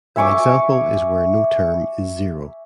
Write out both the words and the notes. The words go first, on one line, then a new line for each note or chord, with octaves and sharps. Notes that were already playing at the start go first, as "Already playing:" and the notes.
An example is where no term is zero.
E5 G#5 C#6 D6